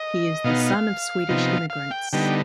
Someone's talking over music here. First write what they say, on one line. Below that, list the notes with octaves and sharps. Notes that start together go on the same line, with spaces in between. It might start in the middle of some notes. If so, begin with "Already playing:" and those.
He is the son of Swedish immigrants.
Already playing: D#5
B2 B3 D#4 F5
F5
C3 F3 B3 D#4
F5
G5
D3 G3 B3 D#4 G5